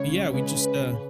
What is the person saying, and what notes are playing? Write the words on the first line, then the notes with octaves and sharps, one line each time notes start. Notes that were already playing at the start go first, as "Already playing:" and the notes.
Yeah, we just, uh
Already playing: C#3 G#3 C#4 C#5
C#3 G#3 C#4 B4
C#3